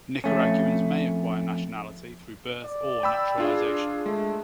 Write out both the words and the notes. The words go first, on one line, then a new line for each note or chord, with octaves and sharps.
Nicaraguans may acquire nationality through birth or naturalization.
F2 A3 C#4
D5
G5 B5 E6
D4 F4 G#4
G#3 A3